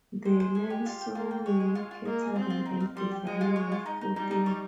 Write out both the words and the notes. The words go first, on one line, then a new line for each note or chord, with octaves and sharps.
They learn sewing, catering and designing of clothing.
G#3 C5
C5
G#5
G4
F4
G5
A#3 F4
G5
G#3 C#5
C#5
F4
F4
A#3 D#5
G#4
C4 F4
F4
D#4
F5
G3 C6
G5
G#3 D#5
F4
C#5
F4
D#4
D#4
G3 D#4
D#4
C#5